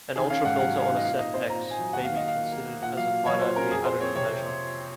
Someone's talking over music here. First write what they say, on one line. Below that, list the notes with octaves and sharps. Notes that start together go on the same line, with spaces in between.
An ultrafilter on a set "X" may be considered as a finitely additive measure.
D#3 G#4
C#4 F5
G#2 F#5
F5
F#3 F#5
C#4
F5
D#3
D#5
A#2 F5
D#4 D#5
C4 C5
A#2 A#5
A#2
G#5
F#3
D#2 F#5
D#3 F5
D#5
D#2
F5
A#3
A#3
A#3
A#2 F#5
F#3 F5
A#2
F#3 C#5
A#2 C5
C#4 A#4
F2 G#4
C4 C5
C4 C#5
C3 C#5